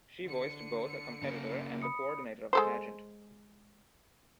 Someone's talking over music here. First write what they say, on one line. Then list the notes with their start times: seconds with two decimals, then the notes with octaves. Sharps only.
She voiced both a competitor and the coordinator of the pageant.
0.24 D3 C#7
1.22 C#3 A#3
1.81 B5 D#6 C#7
2.53 G#3 A4 C5